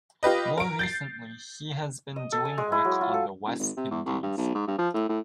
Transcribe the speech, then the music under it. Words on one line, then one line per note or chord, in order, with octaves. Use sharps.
Most recently he has been doing work on the West Indies.
F4 G4 B4 D#5
A#4 D7
G6 A6 C7
D#5
A4
G#5
G#3
E4
F#3
F4
A4
E1
G#1
C3
E2
C2
G2
B1
G#2
G2
F3
A2
A2